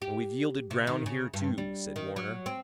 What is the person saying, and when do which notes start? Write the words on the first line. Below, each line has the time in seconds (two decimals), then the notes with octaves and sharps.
"And we've yielded ground here, too," said Warner.
0.02 G4
0.71 C3
0.87 D#3
1.06 C#3
1.34 G2
1.58 G3
1.96 D#3
2.16 F#3
2.46 C4